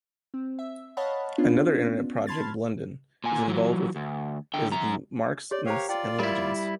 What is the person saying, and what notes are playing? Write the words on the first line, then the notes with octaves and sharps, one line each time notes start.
Another internet project Blunden is involved with is the "Marx Myths and Legends".
C4
E5
C#5 D#5 F5 F#5 A5 B5
B3 C#4 D4 F4
A5 B5 C6 F6 G#6 A6
A#2 G#5
E3 F#3
D2
D3 G5
F#2 A#5
G4 C#5 D5
G4 A#4 C5 C#5 F5 A#5
F4 D5 G5
G3 E4 A#4